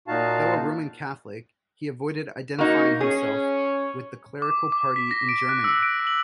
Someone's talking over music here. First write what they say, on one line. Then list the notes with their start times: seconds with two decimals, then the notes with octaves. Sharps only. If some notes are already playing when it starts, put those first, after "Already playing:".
Though a Roman Catholic, he avoided identifying himself with the clerical party in Germany.
0.08 A#2 D#4 F#4 F5 A5
2.59 A#3 D#4 F#4
3.01 C#4 G#4
4.42 D6
4.72 D6
4.96 B6
5.11 A#6
5.29 D7
5.49 F#6
5.64 E6
5.83 D7
6.07 F#7